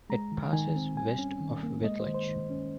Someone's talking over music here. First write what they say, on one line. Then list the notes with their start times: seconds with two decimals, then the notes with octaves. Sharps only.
It passes west of Wittlich.
0.10 G#3 A#5
0.32 D#3
0.53 D#3 G#5
0.76 C4
0.97 G3 G#5
1.19 C#4
1.41 D#3
1.63 A#3
1.84 G#3 D#5
2.00 C5
2.06 D#3
2.14 C5
2.28 D#3
2.50 C#4